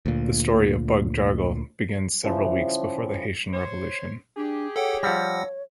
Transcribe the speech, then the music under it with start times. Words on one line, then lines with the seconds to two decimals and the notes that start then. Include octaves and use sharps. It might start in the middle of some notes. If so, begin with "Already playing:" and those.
The story of Bug-Jargal begins several weeks before the Haitian Revolution.
0.06 D2 A#2
2.23 C#3 E3 F3 G3
3.53 C5 C#5
4.37 D4 G4 G#4
4.76 A4 C#5 F#5 G5
5.03 F3 G3 F#5 E6 A#6